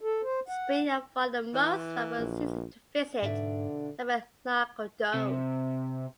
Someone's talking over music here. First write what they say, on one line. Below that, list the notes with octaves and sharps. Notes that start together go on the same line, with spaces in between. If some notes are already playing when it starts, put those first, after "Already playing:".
Spring and fall are the most favorable seasons to visit Tabernacle Dome.
A4
C5
F#5
E3
A#1
G#2 B2 D3 D4 E5
C3